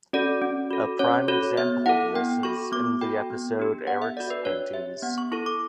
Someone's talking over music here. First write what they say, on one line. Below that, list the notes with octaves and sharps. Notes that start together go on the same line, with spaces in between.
A prime example of this is in the episode "Eric's Panties".
C#4 F#4 A4 D5
C#4
F#4 A4
C#4 C#5
F#4 A4 C#5
B3 E5
E4 A4 F#5
B3 G5
F#4 A4 C#6
B3 D6
F#4 A4 G5
B3
D4 G4
B3 F#5
E5
F#4 A4 D5
B4
D4 C#5
G4 E5
B3 F#5
C#6
E4 A4 C#6
D6